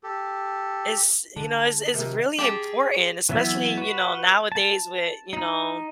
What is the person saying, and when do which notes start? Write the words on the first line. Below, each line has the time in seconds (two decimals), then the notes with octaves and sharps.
it's, you know, it's it's really important, especially, you know, nowadays with, you know,
0.03 G4 A4
1.36 D3 A5
1.94 C3 D#3
2.39 G4 G#4 A5
3.29 E3 F#3 B3 E4 E5
3.77 F#4 B4
4.52 A5
5.33 D#4